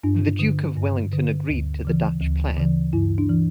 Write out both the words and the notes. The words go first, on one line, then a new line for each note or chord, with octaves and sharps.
The Duke of Wellington agreed to the Dutch plan.
G2 D4
D3
G2
D3
D2
C#3 E3
D2
C#3 E3
G2 E4
D4
E3